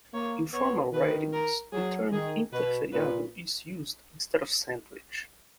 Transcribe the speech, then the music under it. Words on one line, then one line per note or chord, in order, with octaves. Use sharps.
In formal writings, the term "interferiado" is used instead of "sandwich".
A#3 C#5
B3 C#5
D#3 B4
A#4
F#3 G#4
D#3 G#4
B2 B4
A#2 B4